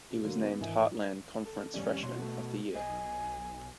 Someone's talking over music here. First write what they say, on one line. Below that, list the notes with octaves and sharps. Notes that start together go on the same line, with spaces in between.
He was named Heartland Conference Freshman of the Year.
B2
D3 F#3 A3 A#3
B3
G#1 E3 D#5 E5 G#5
A4
F1 G3 C#4 D5
B2 C#5 C6
A3 F#4
B1 D#5 G#5